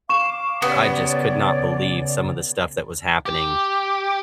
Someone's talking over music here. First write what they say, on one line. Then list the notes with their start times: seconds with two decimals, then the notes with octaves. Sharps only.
I just could not believe some of the stuff that was happening,
0.09 F5 C#6 D6 E7
0.62 C#3 B3 G4 C#5 D5
3.26 G4